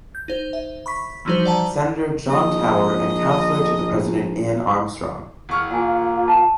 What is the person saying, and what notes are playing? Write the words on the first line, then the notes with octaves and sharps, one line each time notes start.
Senator John Tower and Counselor to the President Anne Armstrong.
G6
D#4 C5
E5
B5 C#6 B6
E3 F3 G3 D#4 F#4 C5
D5 F#5 A5 A#5
A#1 D#5
E1 C#6 F6
A#3 F4 F#5 G#5
A5